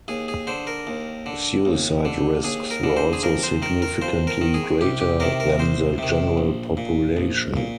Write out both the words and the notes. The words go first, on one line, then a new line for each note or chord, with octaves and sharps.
Suicide risks were also significantly greater than the general population.
D#2 G#4
G#4
D3 C5
A#4
D#2
D3
D#2
D3
D#2 G#4
A#4
D3
C5
G#4
F2 A#4
C5
D#3 A#4
A#4
F2 C5
A#4
D#3
G#4
C2 G4
G4
C3 D#3 A#4
A#4
C2 C5
C3 D#3
A#1
A#2
A#1
A#2